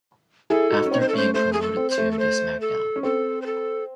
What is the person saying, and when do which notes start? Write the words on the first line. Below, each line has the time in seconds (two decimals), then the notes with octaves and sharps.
After being promoted to the SmackDown!
0.50 E4 G#4 A4
0.70 D#4 F#4
0.86 C#4
0.91 C4 D#4 C#5
1.01 C5
1.09 A4
1.13 A3 C#4 C5
1.34 A3 C5
1.53 A3 G#4
1.62 A4
1.77 C4
1.91 C5
1.98 A3
2.11 A4
2.19 C5
2.61 A4
2.96 C#4
3.03 C4 A4
3.42 C5
3.46 A4